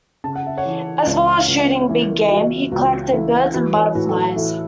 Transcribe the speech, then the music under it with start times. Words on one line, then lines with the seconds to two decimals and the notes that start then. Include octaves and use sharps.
As well as shooting big game, he collected birds and butterflies.
0.24 C#3 A5
0.35 F#5
0.47 E5
0.57 C#5 F#5
0.65 E3
1.06 C#2
1.48 C#2
1.89 E3 E4
2.30 E3 F#4
2.72 C#2 F#4
3.12 E3 E4 A4
3.54 E3 F#4 B4
3.74 A4 C#5
3.95 A2 F#4 B4
4.09 A4
4.16 F#4
4.36 E3 E4 A4